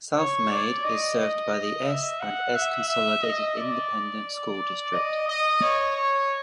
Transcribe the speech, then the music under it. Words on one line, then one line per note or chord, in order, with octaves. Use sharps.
Southmayd is served by the S and S Consolidated Independent School District.
C#5
D5
D#5
D#5
E5
F#5
E5
E5
D#5
D5
D#5
D#5
C#5
C#5